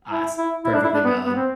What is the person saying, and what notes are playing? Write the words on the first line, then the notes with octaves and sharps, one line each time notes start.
Ah, that's perfectly valid.
E4
E4
E4
D4
E4
D4
B3
B3
C4